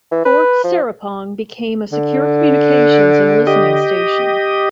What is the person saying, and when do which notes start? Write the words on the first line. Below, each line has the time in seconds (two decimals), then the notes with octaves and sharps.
Fort Serapong became a secure communications and listening station.
0.12 E3
0.25 B4
0.64 F3
1.92 D3
3.47 G4 D#5